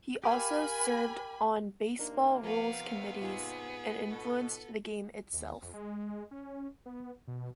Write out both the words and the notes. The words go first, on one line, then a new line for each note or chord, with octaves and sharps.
He also served on baseball rules committees and influenced the game itself.
G4 A#4 F5 G#5 B5
C3 A#3 D4 D#4 A#4
F3 B3 A#4 F5
D#2 C3
G#2 D#4 F4 G#4
B2 A4
D#2
F2
G#3
C#4
B3
B2